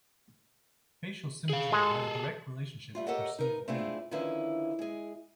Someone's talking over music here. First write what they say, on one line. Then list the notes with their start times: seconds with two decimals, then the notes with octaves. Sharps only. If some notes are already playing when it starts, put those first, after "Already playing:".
Facial symmetry has a direct relationship to perceived beauty.
1.50 G#4 F5
1.72 G#3 G#4 A4
2.95 G3 A3 F4
3.07 G4 A4 A#4 C#5 D#5 F#5
3.39 D#4 A#4 B4
3.68 A3 C4 D4 E4 F4 G#4
4.11 D3 D#3 F3 C#4 E4 B4
4.79 G#3 G#4